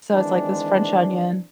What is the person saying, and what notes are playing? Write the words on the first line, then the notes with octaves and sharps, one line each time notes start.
So it's like this French onion
D#3 E3 G#3 C4 D4